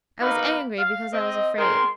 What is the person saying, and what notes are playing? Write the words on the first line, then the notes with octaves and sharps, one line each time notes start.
I was angry because I was afraid.
B2 A#3 D#4 B5
F5
C4 D#5
D#3 G#3 C4 C6